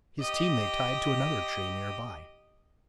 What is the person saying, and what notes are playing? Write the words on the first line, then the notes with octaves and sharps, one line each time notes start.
His team they tied to another tree near by.
G4 D#5